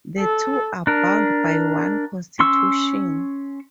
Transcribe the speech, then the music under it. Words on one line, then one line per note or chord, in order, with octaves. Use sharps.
The two are bound by one constitution.
A4
D4 A#4
C#4 C6 C#6 E6